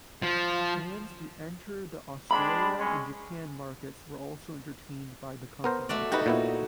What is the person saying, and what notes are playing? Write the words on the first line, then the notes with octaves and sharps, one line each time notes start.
Plans to enter the Australia and Japan markets were also entertained by the company.
F3
G#3 C4 D4 B5
G#3 C#4
B3 A#4 C5
A3 F#4 D5
D#4 F#4 G4 B4
A#2 B3 E4